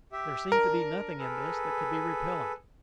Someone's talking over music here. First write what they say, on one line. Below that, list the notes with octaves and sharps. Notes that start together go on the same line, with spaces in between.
There seemed to be nothing in this that could be repellent.
G4 E5
D4 A#4
G#4 A4 B4